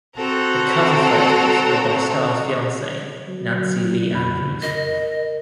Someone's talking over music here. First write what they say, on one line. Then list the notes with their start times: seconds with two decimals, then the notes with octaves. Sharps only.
The cover photos were by Starr's fiancee, Nancy Lee Andrews.
0.17 C4 F#4 A4 A#5
3.28 F#3
4.11 F2 C#3 B5
4.62 A#4 D#5